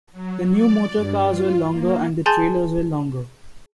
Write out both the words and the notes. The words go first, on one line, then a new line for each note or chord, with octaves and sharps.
The new motor cars were longer, and the trailers were longer.
F#3
D5
G2
F4
A#3
G#4 G#5 A5 C6 G6 A6